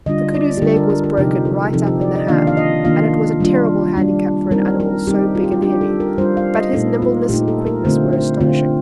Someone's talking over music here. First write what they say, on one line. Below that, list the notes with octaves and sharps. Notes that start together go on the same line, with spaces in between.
The koodoo's leg was broken right up in the ham, and it was a terrible handicap for an animal so big and heavy, but his nimbleness and quickness were astonishing.
D3 G3 D4 F4 D#5
D5
G4
D3 G3 D4 F4 A4
A#4
A#4
A#4
C3 F3 C4 D#4 G4
A4
C3 F3 C4 D#4 A4
G4
D5
D#5
D#3 A#3 D4 F4 F5
F5
D#5
D#3 A#3 D4 F4 F5
G3 D4 F4
G3 D4 F4
G3 C4 D#4 A#4
A#4
G3 C4 D#4 G4
F4
G4
F4
G3 D4 F4 G4
A4
A#4
G3 D4 F4 C5
F5
D#5
A#2 A3 D#4 A4
F4
A#2 A3 D#4 G4
A4
A#4
D3 A3 C4 F4 C5
C5
D3 A3 C4 F4